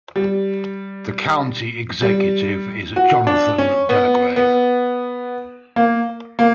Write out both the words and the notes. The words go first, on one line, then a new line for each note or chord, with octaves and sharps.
The county executive is Jonathan Delagrave.
G3
G3
F#4
D4
C#4
B3
B3
A#3
A#3